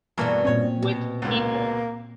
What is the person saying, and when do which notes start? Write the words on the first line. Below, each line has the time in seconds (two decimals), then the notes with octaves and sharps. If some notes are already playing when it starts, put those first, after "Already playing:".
with people,
0.18 G2 B2 E3 G3 A3 A#3
0.45 A#2 C4 C#4 C#5
0.83 B2
1.22 C#2 G#2 A#3